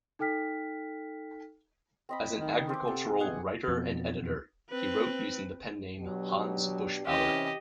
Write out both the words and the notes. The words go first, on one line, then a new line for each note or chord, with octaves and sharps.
As an agricultural writer and editor, he wrote using the pen name "Hans Buschbauer".
D#4 A4 G5 F6 B6
C4 D#5 B5
D#3
C4 D6
C3 A4 F#5
B2 G#4 F#5 G#5
F2 B2
C4 B4
B2 F#3 D4 G4
C3 E3 C#4 G4 D#5